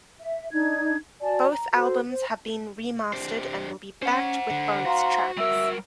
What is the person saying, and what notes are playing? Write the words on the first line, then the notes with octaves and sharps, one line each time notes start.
Both albums have been remastered and will be backed with bonus tracks.
E5
D4 D#4 G#6
F#4 D5 G#5 A5
A#5
F#4 A4 C5
C5
D4 G4 C5
C#4 C5 F#5
D3
F#4 F5 A#5 C6
G3 A#4 E5 E6